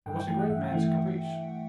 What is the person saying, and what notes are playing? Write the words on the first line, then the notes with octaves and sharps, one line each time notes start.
It was a great man's caprice.
G2 G5
G5
E3 A3 G5
F#5
G2 E5
G5
E3 A3